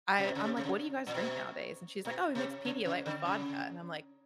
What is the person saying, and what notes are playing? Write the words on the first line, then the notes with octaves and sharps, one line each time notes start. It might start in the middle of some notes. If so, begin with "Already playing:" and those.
I I'm like, "What do you guys' drink nowadays?" And she's like, "Oh, we mix Pedialyte with vodka," And I'm like,
C3
B2
C#3
C3
C3
C#3
A#2
B2
B2
C3
C#3
C#3
D3
C#3